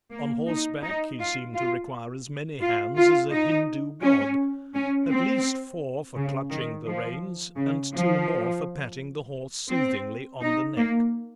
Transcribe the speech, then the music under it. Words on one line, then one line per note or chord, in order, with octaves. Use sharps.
On horseback he seemed to require as many hands as a Hindu god, at least four for clutching the reins, and two more for patting the horse soothingly on the neck.
A#3
D#4
D#4
F4
F4
F4
F4
D#4
C#4
C#4
C4
C#3
D#3
F3
C#3
F3
C4
D#4
A#3